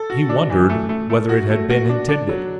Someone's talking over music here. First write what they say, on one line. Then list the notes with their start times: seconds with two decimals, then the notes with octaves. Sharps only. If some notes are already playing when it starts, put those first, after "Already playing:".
He wondered whether it had been intended.
Already playing: A4
0.10 F#4
0.29 D4
0.50 E3
0.69 A3
0.89 A3
1.10 A3
1.29 F#4
1.50 A3
1.70 F#4
1.89 D4
2.09 D4
2.29 F#3